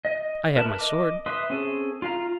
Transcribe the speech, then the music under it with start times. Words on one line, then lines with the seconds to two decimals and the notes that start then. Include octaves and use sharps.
"I have my sword."
0.05 D#5
0.56 A#4 B4 E5 A5
0.79 D#5 D6
1.26 B4 E5 C6 D#6
1.50 C4 C#4 G#4 A4
2.02 F4 F5 A#5